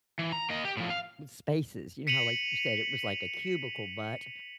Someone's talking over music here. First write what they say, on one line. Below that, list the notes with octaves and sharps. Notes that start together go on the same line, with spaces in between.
spaces, you know, how, like, you said it was like a cubicle, but,
E3
A#5
A#3 D#5
G4
A2 F3
F5
B6 C#7 D#7 F7 F#7